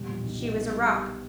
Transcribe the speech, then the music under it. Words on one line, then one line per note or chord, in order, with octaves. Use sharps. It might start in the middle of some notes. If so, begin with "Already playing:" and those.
She was a rock.
Already playing: E1 G3
A#2
B1
B1
B3
G3
G4